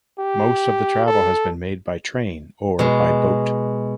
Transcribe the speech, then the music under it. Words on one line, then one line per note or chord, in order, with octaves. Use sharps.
Most of the travel has been made by train or by boat.
G4
A4
B2 G#3